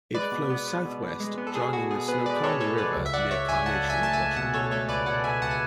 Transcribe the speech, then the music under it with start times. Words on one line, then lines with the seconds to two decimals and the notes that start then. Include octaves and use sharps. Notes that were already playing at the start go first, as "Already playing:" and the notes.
It flows southwest joining the Snoqualmie River near Carnation, Washington.
0.14 G#3 B4 D5
0.32 B2
0.50 B3
0.68 B3
0.85 B2
1.02 B2
1.20 G#3
1.38 B3
1.47 A4
1.55 B2 G#4
1.73 B2 F#4
1.90 B2 G#4
2.08 B3 G#4 B4
2.26 G#3 B4 D5
2.43 G#3 A4 C#5
2.61 B2 A4 C#5
2.78 G#3 B4 D5
2.96 C#2
3.06 E5
3.13 C#2 D5 F#5
3.31 C#2 C#5 E5
3.48 C#2 E5 G#5
3.66 C#2 F#5 A5
3.84 C#2
3.90 E5 G#5
4.01 A3 A5
4.13 E5 G#5
4.19 C#2
4.36 B2 F#5 A5
4.54 B2 A4 C#5
4.71 A3 A4 C#5
4.89 C#2 B4 D5
5.06 B2 D5 F#5
5.24 B2 E5 G#5
5.42 C#2 F#5 A5
5.51 G#5